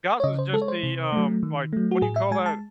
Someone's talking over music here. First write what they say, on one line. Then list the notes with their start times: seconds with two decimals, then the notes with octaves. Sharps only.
Gaza is just the, um, like, what do you call that
0.20 C#5
0.24 C#3 D#5
0.38 C5
0.53 G#3 A4
0.62 C#5
0.68 C5
0.83 C3
1.12 F#3 A3
1.43 D#3
1.73 F#3 A3
1.91 F#4
2.02 A2 G#4
2.16 E5
2.31 G#3 G#5
2.46 A5